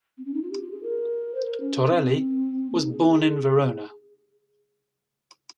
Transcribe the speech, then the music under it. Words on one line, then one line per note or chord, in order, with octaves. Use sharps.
Torelli was born in Verona.
C4
C#4
D#4
F4
G4
F4
G#4
A#4
C5
A#4
C#4
C4
C#4
C4
A#3
D#4
G#4